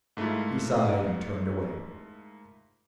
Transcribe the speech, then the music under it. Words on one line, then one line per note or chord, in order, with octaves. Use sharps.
He sighed and turned away.
G#2 A3 A#3 E4 F4